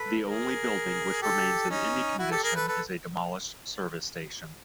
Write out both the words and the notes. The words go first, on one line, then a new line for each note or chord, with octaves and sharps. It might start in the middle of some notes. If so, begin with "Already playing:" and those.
The only building which remains in any condition is a demolished service station.
Already playing: A4 B4
G#4 A#4
G4 A4
C#4 D#4
E4 F#4
G4 A4
G#4 A#4
A4 B4
A4 B4